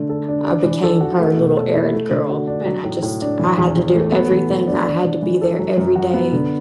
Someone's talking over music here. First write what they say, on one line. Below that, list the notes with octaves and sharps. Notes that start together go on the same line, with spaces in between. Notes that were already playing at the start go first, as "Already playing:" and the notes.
I became her little errand girl, and I just I had to do everything. I had to be there every day.
Already playing: D3 A3
A4
D4
D4
E3
A4
F#4
A3
B2
A4
E4
A3
D3
F#4
D4
F#3
A2
A2
D4
E3
E2
E2
A3
B3
E3
E3
D4
D4
E3
E3
A4
F#3
F#2
F#4
B3
D3